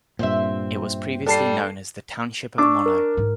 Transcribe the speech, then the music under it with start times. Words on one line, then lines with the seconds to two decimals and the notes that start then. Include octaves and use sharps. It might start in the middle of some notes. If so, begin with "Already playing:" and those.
It was previously known as the Township of Mono.
0.19 G2 A#2 C4 C5 E5
1.26 G3 D4 A4 A5 C7
2.58 D4 C#6 D6 E6
2.86 A#4
3.17 G#2